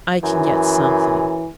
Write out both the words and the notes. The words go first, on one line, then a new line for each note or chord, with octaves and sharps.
"I can get something."
F#2 E3